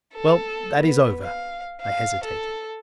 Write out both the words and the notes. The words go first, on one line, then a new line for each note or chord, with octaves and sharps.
"Well, that is over." I hesitated.
A4
B3
F5
F5
A4